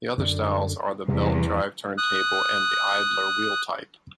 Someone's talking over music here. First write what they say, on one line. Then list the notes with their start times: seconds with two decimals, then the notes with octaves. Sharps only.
The other styles are the belt-drive turntable and the idler-wheel type.
0.18 F#2 D3
1.08 E2 C3 G3
1.98 D#6 F#6